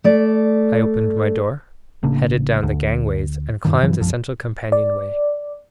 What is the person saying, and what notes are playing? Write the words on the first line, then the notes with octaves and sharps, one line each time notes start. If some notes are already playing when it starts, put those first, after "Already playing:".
I opened my door, headed down the gangways, and climbed the central companionway.
A3 D5
A1 C#3 A#3 D4
D2
D#1 G2 D#3
G2 E3 F#3
A#1 F#2 F3
D5